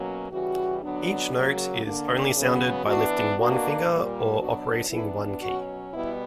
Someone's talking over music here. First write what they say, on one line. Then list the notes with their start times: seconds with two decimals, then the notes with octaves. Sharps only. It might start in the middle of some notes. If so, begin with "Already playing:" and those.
Each note is only sounded by lifting one finger or operating one key.
Already playing: B2 F#3 A#3 C#4
0.30 C#3 E3 G3 F#4
0.82 D3 F#3 B3 D4
1.32 C#3 F#3 A#3
1.83 D3 A#3 D4
2.35 C#3 F#3 B3
2.86 E3 B3 D4 F#4
3.37 B2 A#3 D4 F#4
3.88 A#2 G3 A#3
4.39 B2 F#3 B3 D4 F#4
4.90 E3 B3 D4 E4
5.41 B2 F#3 C#4 F#4
5.92 B2 G3 B3 E4